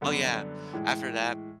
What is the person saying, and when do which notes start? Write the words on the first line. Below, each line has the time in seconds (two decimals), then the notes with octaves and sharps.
Oh, yeah. After that,
0.01 F#2 D3 G3 B3
0.73 A2 E3 G#3